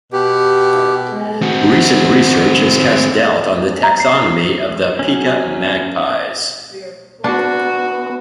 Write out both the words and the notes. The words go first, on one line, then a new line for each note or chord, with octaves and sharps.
Recent research has cast doubt on the taxonomy of the "Pica" magpies.
B2 G4
C4 F#4
A#5
C7
F#3 C#4
B3 D4 F#4